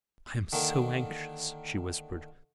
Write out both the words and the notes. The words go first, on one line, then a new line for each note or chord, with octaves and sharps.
"I am so anxious," she whispered.
D3 D#3 A#3